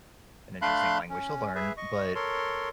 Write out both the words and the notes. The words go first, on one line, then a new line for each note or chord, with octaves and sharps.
an interesting language to learn, but,
A3 D4 F5 B5 C6 F#6
C#4
G#4 B4 E5
D#5 C#6
A4 A#4 C#5 C6